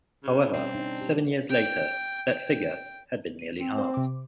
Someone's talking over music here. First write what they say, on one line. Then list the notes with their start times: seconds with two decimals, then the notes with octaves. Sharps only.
However, seven years later that figure had been nearly halved.
0.24 C#3
0.53 B2 G3 C4 C#4
0.75 D4 D#4
1.01 G4
1.49 G5
2.27 G5
3.39 D#7
3.58 C4
3.78 C5 C6
3.94 C3 D6